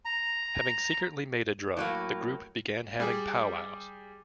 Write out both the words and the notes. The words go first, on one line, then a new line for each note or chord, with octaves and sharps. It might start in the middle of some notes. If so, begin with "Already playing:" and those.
Having secretly made a drum, the group began having powwows.
A#5
A2 F#3 A#3
G3 G#4